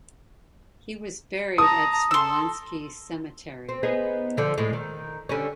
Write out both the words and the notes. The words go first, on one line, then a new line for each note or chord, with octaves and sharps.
He was buried at the Smolensky Cemetery.
A5 A#5 D#6
A4 C6 E6
C4
B3 D#4 G#4
D3 F3
A2 G#3
D#3
D3 G3 C#4